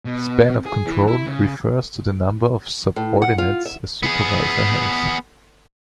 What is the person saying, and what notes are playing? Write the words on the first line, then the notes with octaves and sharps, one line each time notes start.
Span of control refers to the number of subordinates a supervisor has.
B2
G#4
E3
E4
C#3
A2
F#5
F4
E5
B3 G#4